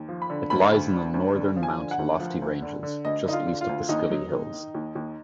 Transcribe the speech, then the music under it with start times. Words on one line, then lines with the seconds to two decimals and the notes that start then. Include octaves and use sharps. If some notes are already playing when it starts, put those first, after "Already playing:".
It lies in the northern Mount Lofty Ranges just east of the Skilly Hills.
Already playing: D#2
0.09 F3
0.22 B5
0.30 D3
0.50 D2 B5
0.72 D2
0.93 D3
1.14 D2
1.35 D3
1.57 F3
1.63 G#5
1.78 D3
1.91 F#5
1.99 D2
2.20 F3
2.42 D2
2.62 D3
2.83 D3
3.04 D2 D#5
3.26 D3 D#4
3.33 F4
3.47 D3
3.61 F4
3.69 D2
3.89 D#2 D#4
4.10 F#3
4.32 D#2
4.54 D#3
4.74 D#2
4.95 D#2